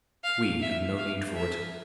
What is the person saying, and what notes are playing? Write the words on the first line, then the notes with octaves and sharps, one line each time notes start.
We have no need for it.
F5
E5
F5
E5